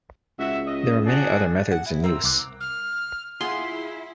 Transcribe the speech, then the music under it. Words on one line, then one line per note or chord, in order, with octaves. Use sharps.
There are many other methods in use.
C#2 F#4 E5
D#5
D4 F#4 G#4
F#5
E4
C4 A#4 A#5 E6
C2 D6 F#6
F6
E4 F4 G#4 F#5 C6